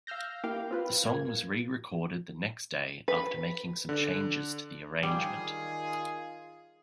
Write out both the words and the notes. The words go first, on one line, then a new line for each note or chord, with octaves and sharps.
The song was re-recorded the next day after making some changes to the arrangement.
F5 E6 F6 G6 A#6
A#3 E4 G4 F5 G5
C4 F4 B4
G1 A#3 G#6
B4
D3
D#3 G3 F4 G#4